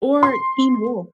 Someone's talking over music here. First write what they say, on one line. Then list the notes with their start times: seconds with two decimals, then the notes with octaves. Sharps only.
or Teen Wolf.
0.23 C6